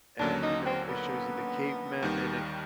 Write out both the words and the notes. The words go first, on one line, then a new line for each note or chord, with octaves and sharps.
and, you know, it shows you the cavemen and it
D#2 D3 F#3 A#3 C#4 D4
D#4
C4
B3
D#2 D#3 G3